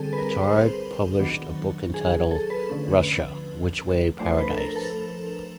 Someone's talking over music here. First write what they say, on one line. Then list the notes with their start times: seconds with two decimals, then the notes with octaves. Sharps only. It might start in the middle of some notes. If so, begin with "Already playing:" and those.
Attard published a book entitled Russia: Which Way Paradise?
Already playing: D3 G3 C4 G#4 A4
0.13 B4
0.18 A#4
0.31 B4
0.44 C5
1.19 D#3 F#3 B3 D4
1.94 G#4
2.13 G#4
2.31 A4
2.50 B4
2.70 D3 F3 A3 C#4
4.19 F3 A3 D4 C5
4.38 B4
4.50 A4
4.57 A#4
4.76 A4